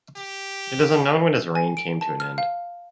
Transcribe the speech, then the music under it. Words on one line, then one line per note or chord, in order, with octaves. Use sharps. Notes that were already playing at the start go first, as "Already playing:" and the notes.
It is unknown when his reign came to an end.
G4
G#5
D7
A5
F6
F5